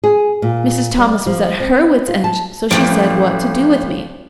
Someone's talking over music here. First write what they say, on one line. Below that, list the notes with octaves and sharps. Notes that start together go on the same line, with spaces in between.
Mrs. Thomas was at HER wits' end, so she said, what to do with me.
G#4
A#2
G3
F3
C4
F4
A5
A1 F3 A3 E5 D7